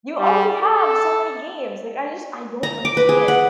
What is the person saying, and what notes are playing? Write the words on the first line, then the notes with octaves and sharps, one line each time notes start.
you already have so many games." Like, I just, I don't understand.
G3
A4
A#5
D6
B4
G#4
F#5